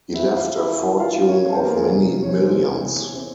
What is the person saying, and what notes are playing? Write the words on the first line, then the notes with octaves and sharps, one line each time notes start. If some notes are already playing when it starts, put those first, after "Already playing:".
He left a fortune of many millions.
E2 E3 G#3 E4 E5
F4 F5
E4 E5
F4 F5
F4 F5
C#4 C#5
C4 C5
A#3 A#4
G#3 G#4
E2 C3 E3 G#3
C#5
C4 C5
C4 C5